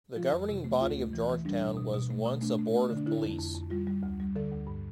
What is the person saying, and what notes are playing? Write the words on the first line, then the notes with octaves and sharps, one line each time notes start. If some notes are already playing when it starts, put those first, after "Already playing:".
The governing body of Georgetown was once a Board of Police.
F3 F4
F2
C3
A3
D2 F4
A3
E3
E3
G3 D4
B2
B2
B2
A3
B2
A3 D4
A3
A3
D3
D4
D3 E4
F2
F2
F2
G3 F4
G3
D2
G3
D3 A4
D2
G2